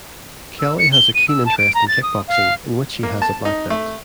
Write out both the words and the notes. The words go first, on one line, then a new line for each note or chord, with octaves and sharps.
Kelly has a keen interest in Kickboxing, in which he has a black belt.
E6
C#7
G7
D#7
E6
A5
D7
A#5
A6
D#6
F5
A#3
A5
D#4
A3